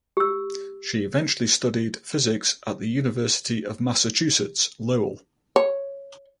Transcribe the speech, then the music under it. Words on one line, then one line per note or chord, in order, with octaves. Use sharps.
She eventually studied physics at the University of Massachusetts Lowell.
G4 E6
C#5